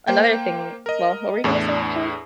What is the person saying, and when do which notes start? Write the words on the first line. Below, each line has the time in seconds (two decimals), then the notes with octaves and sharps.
Another thing well, what were you gonna say, actually?
0.07 A#3 C5 G5
0.86 A#4 D#5
1.44 E2 A2 D4